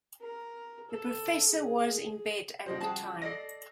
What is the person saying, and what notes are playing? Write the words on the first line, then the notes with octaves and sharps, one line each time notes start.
The professor was in bed at the time.
A#4
A4
G#4
C#3 F3 G3 C5 D#5 G5
F#4 G#4 A5
A4 D5 D#5 A#6 C7